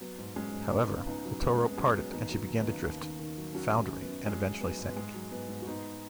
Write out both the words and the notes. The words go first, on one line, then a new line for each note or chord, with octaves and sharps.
However, the tow rope parted and she began to drift, foundering, and eventually sank.
F#3 B3
G#2
F#3 G#3 C#4
G#2
C#2 B3 D#4
C#3
C#2 B3 D#4
F#3
F#2 B3
G#3
F#2 B3
B3
F#3 G#3 C#4
F#3 B3
D#2 B3 D#4
F#3
D#2
B3 D#4
C#3
D#2
D#3
D#3
F#3
F#3 C#4 F#4
F#2
F#2
B3
F#2
F#3 G#3 C#4
F#3
F#3 B3
G#2
B3
G#2 G#3
F#3
G#2 B3
G#2
F#4
G#2 B3 D#4